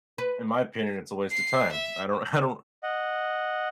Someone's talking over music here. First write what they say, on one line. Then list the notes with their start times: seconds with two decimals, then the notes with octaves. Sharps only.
in my opinion, it's a waste of time, I don't I don't
0.18 B4
1.31 C7
1.72 E5
2.83 D#5 F#5